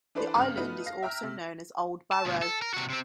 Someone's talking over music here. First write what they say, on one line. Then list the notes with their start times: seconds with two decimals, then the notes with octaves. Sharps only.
The island is also known as 'Old Barrow'.
0.15 E3 D4 A4 B4 C5 D5
0.35 G#1 G2 C#3 F6
0.57 A3 B3 D#4 F#4 B4
0.86 F5 A#6
1.03 E5 G5 A#5 E6 F6
1.23 C3
2.12 A5
2.25 D2 B2
2.42 A4
2.62 A#4
2.74 C3 F#4
2.90 C3 C4